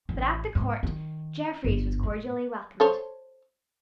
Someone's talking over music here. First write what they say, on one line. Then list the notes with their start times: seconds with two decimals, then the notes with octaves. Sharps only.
But at the Court Jeffreys was cordially welcomed.
0.09 A1
0.55 G#2
0.83 D#3
1.64 G1
2.03 A2
2.80 A4 C5 C#5